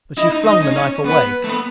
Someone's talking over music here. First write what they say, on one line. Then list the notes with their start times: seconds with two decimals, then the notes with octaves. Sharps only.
But she flung the knife away.
0.17 E4 D#5
0.32 D#4
0.46 D#4 D#5
0.62 C#4
0.72 D#4
0.76 C#4 C#5
1.05 B3 B4
1.44 A3
1.49 B3